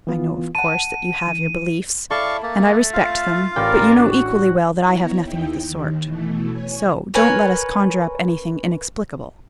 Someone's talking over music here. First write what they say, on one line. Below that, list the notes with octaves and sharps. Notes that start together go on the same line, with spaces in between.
"I know, of course, that you have your beliefs, and I respect them, but you know equally well that I have nothing of the sort! So--don't let us conjure up anything inexplicable."
E3 B3 F4
F#5 A5 D#7
E3
E4 A4 D5 F5 C#6
A3 A#3
F4 F5
A1 A#4 D5 G5
D4 F#4
B3 E4 C#5 A#5
D#2 D#4 E4 G5
D#2 D#3
B2 E3 A3
C#5 G#5
A#4 B4 C#5 G#5